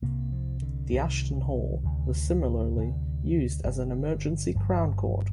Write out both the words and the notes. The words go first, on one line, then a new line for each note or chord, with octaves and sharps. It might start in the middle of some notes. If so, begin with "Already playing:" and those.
The Ashton Hall was similarly used as an emergency Crown Court.
C2 C3 A#3
F3
D3
C2 C3 D#3
D2 C3
D2 C3
G1 G2 D3
G1 G2 D3 F3